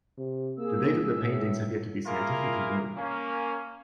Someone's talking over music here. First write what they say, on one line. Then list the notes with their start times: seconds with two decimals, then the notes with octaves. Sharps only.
The date of the paintings have yet to be scientifically known.
0.18 C3
0.58 A#3 G#4 E6
1.13 A2
2.06 A#3 E4 F4 G#4 A#4 F5
2.96 A#3 C#4